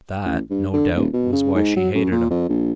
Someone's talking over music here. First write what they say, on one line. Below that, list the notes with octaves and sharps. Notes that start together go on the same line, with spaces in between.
That, no doubt, was why she hated him.
A1
G2
D3
D#1
B2
C#3
G#2
F#3
F#2
A#2
F2
A#1